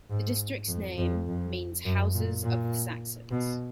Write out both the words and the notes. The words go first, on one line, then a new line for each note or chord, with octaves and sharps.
The district's name means 'Houses of the Saxons'.
G#2
F2
F2
F2
F#2
A#2
A#2
B2